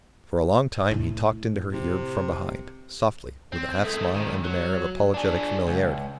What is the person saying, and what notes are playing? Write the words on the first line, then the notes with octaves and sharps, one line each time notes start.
For a long time he talked into her ear from behind, softly, with a half smile and an air of apologetic familiarity.
A2 E4
C3
C4
G#3 A3
C#2 D#3
F#3
D4 G#4
C#2